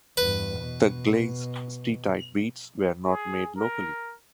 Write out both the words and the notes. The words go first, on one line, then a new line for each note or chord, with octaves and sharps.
The glazed steatite beads were not made locally.
E2 G2 B4
B2
G#4
A#4